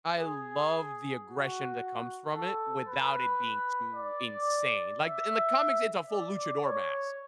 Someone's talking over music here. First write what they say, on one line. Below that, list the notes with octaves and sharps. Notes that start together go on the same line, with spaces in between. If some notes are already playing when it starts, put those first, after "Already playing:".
I love the aggression that comes from it without it being too insane. Like, the in the comics, it's a full luchador mask.
G#4
F#4
A4
B4
D5
E5
D5
C#5